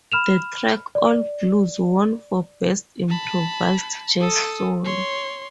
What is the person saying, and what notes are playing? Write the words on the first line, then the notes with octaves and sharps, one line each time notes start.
The track "All Blues" won for Best Improvised Jazz Solo.
B5 F6 E7 F7
D5
A5 B5
A4 D#6
C#5 C6